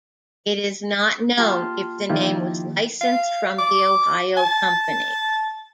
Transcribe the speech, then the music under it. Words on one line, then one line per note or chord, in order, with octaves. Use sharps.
It is not known if the name was licensed from the Ohio company.
A#3 F4 G4 A5 C6 F6
D#3 F3 A#3 E4 F4 G4
F5
D6
A5